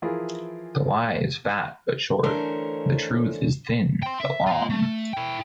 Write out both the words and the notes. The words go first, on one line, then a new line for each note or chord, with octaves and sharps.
The lie is fat but short, the truth is thin but long.
E3 F3 E4 F4 G#4 A#4
D3 E3 A3 C#4 A#4 C5
G5 C6
E5
F4 A#5
A3
E4 G5